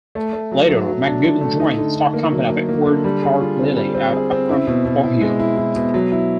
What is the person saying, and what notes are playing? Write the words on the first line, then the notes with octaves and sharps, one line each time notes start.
Later, MacGibbon joined the stock company of Edward Clarke Lilley at Akron, Ohio.
A3
A3
F#3
F#3
F#3
D4
D3
A3
D#4
D3
D3
A#3
F#3
A#3
A#3
D3
G3
G#4
F4
C4
G3
C4
G#4
C4
E4
B2
B2
E4
G#3
E4
E4
B2
F#3
E4